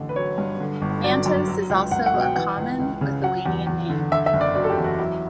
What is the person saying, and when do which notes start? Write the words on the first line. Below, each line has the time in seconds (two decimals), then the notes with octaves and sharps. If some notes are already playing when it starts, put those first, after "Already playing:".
Mantas is also a common Lithuanian name.
Already playing: A1 D3
0.09 B4
0.16 F#3 C#5
0.38 G2
0.60 D3
0.82 G1
1.03 F#3 D5
1.26 F#2
1.48 F#3
1.70 C#2
1.91 C#2 F#5
2.06 F#5
2.14 B2
2.21 G5
2.36 E3 F#5
2.58 C#2
2.80 C#2
3.01 C#3
3.23 F#3 F#5
3.46 E2
3.67 E2
3.89 D3
4.12 D3 E5
4.26 E5
4.33 F#1
4.41 D5
4.55 F#3 D5
4.64 A4
4.70 G4
4.78 E2
4.84 F#4
4.99 F#3 E4